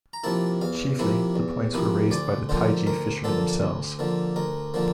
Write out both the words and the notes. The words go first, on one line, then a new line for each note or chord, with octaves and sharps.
Chiefly the points were raised by the Taiji fishermen themselves.
A#5
C3 F3 A#3 E4 A5
E2 F5
C3 F3 A#3 E4
E2
C3 F3 A#3 E4
D2 D5
D3 F3 A#3 C5
D2 A#4
D3 F3 A#3 A4
D2
D3 F3 A#3
D2 A#4
D3 F3 A#3